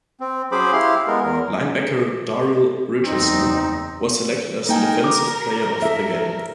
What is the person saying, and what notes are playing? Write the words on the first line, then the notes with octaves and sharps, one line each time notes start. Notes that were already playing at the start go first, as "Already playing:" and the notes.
Linebacker Daryl Richardson was selected as the Defensive Player of the Game.
C4
F#3 C#4 G#4 C5 B5 D6
E4 G4 F5 C6
G#3 B3 A#4
E2 A#4
F#1 E2 C4 D#4
A#3 D#4 A#4 G5 G#5
D6
A4 E5